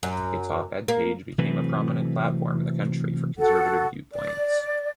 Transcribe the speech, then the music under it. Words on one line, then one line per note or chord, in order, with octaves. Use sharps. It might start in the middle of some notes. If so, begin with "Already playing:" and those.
Its op-ed page became a prominent platform in the country for conservative viewpoints.
F#2
A#3
C3 E3 F#3 A3 C4 B4
F#4 A4 F#5
D5